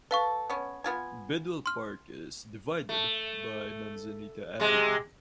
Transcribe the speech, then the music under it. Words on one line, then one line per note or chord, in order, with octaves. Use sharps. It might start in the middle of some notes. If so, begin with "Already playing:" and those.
Bidwell Park is "divided" by Manzanita Avenue.
A4 B4 F5 C#6
B3 C#4
B3 F4 G#5
C6 F6
A3
C3 G#3